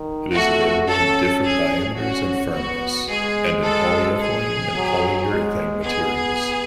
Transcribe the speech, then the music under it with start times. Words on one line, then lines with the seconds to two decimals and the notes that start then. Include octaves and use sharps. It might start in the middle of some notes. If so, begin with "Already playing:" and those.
It is available in different diameters and firmness, and in polyethylene and polyurethane materials.
Already playing: D#3
0.33 A3 F#4
0.89 C#4 A4
1.44 G#4
1.99 C#4 F#4
2.54 B3 F#4
3.10 G#3 G#4
3.65 A4
4.20 G#4
4.75 F#3
5.31 G#3
5.85 B3 G#4